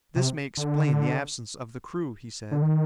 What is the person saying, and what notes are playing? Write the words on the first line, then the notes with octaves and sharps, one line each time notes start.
"This may explain the absence of the crew," he said.
C3
D3
D3
D#3